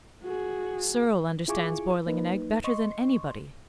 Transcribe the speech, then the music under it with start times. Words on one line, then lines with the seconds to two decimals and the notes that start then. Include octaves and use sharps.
Serle understands boiling an egg better than any body.
0.23 F#4 G#4
1.48 E4 F4 G#4 G#5 C#6 D6
2.07 A#3 D#4 B4
2.64 D#5 C6 C#6